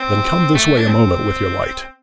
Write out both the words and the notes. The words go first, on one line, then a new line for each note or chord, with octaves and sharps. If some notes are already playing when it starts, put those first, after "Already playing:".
'Then come this way a moment with your light.'
Already playing: C4
A3
D4
C4